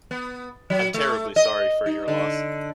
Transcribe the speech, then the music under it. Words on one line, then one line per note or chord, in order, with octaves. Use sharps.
I’m terribly sorry for your loss.
B3
F#3
A3
D#5
D#4
D3